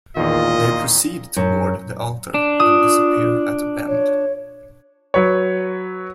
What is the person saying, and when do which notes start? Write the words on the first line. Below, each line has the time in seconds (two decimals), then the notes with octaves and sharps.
They proceed toward the altar and disappear at a bend.
0.17 E2 A#2 D#3 F4 D#5
1.36 F#2
2.34 D4
2.60 F4 D#6
3.88 C#5
5.14 F#3 B4 C#5